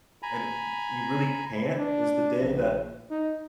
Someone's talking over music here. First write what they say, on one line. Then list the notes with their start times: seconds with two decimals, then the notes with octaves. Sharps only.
and y you really can't, is the day that
0.23 G#5 A#5 B5
1.77 D4
2.41 A#1
3.11 D#4